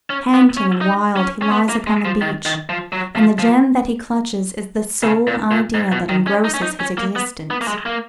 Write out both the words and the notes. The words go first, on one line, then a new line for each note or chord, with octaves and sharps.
Panting and wild he lies upon the beach, and the gem that he clutches is the sole idea that engrosses his existence.
C#4
B3
C#4
D#4
C#4
C#4
B3
A#3
G#3
F3
D#3
D#3
F3
F#3
F3
F3
C#3
A#2
A#2
G#2
B2
D#3
C#4
D#4
C#4
D#4
C#4
A#3
B3
B3
A#3
G#3
A#3